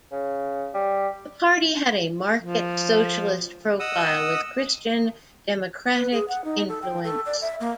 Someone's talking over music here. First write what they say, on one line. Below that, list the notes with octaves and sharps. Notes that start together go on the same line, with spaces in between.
The party had a market-socialist profile with Christian-democratic influence.
C#3
G3
F3
D#5 F#5 D#6 E6
B4
G#4
F#5
D#4
A4
G5
A4
D5
E5
A#3